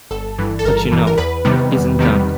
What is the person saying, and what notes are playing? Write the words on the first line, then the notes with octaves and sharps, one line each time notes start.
But you know, it isn't done.
G1 A4
G2 E3
A4
G1 A#4
G2 E3
A#4
E2 B4
C3 D#3 G3 B3
E2
C3 D#3 G3 B3